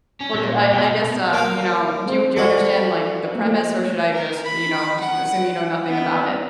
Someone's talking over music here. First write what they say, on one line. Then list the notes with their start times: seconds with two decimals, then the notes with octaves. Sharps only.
Well, d I I guess, uh, you know, do you do you understand like the premise or should I just, you know, assume you know nothing about it?
0.21 C#4
0.34 A#2
0.72 B2
1.33 A#3 F5
2.06 G#3 C4 C5
2.36 F3 F#4 A4 D5 F5
3.35 A3 A#3
4.12 A#4
4.45 B5
5.00 F#5
5.87 B3